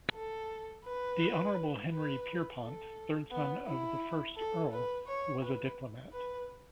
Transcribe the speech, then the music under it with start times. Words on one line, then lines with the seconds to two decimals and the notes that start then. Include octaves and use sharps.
The Honourable Henry Pierrepont, third son of the first Earl, was a diplomat.
0.14 A4
0.85 B4
1.91 B4
2.61 A4
3.32 B3
3.67 E4
4.37 A4
4.73 B4
5.07 C#5
5.43 B4
6.13 B4